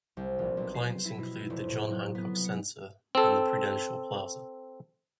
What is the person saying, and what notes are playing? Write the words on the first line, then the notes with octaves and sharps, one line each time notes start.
Clients include the John Hancock Center and the Prudential Plaza.
C2
A#1
B1
C7
E4
B2
F1
A2
F#3
B3
C#7
C4 A4